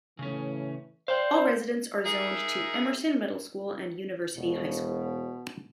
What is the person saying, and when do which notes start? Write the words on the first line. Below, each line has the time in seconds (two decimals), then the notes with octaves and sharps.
All residents are zoned to Emerson Middle School and University High School.
0.19 A2 C#3 E3 C#4
1.08 C5 D5 F5 G5 C6 G6
2.04 D#4 G#4 A#4 E5
4.37 E1 B2